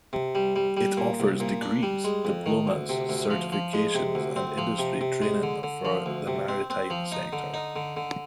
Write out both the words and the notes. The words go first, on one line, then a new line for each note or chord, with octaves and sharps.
It offers degrees, diplomas, certifications and industry training for the maritime sector.
C3
G3
G3
G3
A#2
C2
A#2
D4
G3
G#3
F2
D#3
D2
C3
D2
F3
F3
G#3
C3
D2
C4
F3
C3
C3
G#3
D3
D3
F3
D2
C3
C4
C4
F3
D#4
D3
D#4
D3
D3